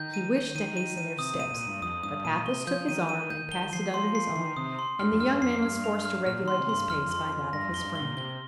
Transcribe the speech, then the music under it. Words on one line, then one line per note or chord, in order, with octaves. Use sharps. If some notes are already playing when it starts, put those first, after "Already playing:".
He wished to hasten their steps; but Athos took his arm and passed it under his own, and the young man was forced to regulate his pace by that of his friend.
Already playing: D#3 G6
D#7
G6
D#3 D#7
D#7
D#7
C3 D#6
C3
D#7
A#2
D#7
G2
F2 D#6
G2 D#6
A#2 D#7
C3 G7
F3 G6
D#3 D#7
D#7
G6
G7
F3 C7
C6
C7
D#3 C7
C3 D#6
C6
G2 F6
F2
G2 F6
F2 C7
G2 F6
F7
F6
A#2 F6
D#3
C6
C3
G2 C6
F2 F6
F2
C6
C6
G2 A#6
F2
G7
G2
G7
A#2
C3 G7